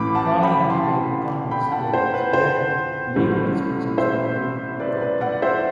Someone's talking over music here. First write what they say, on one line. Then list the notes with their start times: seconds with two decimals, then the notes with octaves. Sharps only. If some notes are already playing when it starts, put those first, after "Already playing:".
Corning had paid Condon's clearance-related legal expenses while he worked there.
Already playing: A1 A2 E3 B5 D6
0.15 F#5 A5
0.42 G5 B5
0.70 A5 C6
1.51 G5 B5
1.72 F#5 A5
1.93 C5
2.14 B4
2.33 C5
3.16 A1 A2 G3
3.98 C5 E5
4.80 B4 D5
5.01 B4 D5
5.21 D5 F#5
5.42 C5 E5